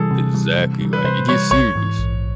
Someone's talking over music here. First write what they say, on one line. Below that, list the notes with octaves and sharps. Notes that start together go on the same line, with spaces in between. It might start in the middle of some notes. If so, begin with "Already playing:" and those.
Exactly, like, it gets serious.
Already playing: C3 E3 G3 G#4 A4
C3
E3 G3
C3
E3 G3
B4
C3 C5
E3 G3 C#5
A#1 C#5
G#2 E3
A#1